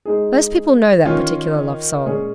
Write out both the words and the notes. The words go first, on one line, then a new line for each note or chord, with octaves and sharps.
Most people know that particular love-song.
G#3 D#4 G#4
D#3 C#4 F4
A#2 G#3 C#4 G#4 C#5